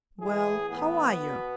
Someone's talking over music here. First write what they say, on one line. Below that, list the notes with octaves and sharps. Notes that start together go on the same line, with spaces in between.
Well, how are you?
A2 E3 G#4
A2 E3 B3
B2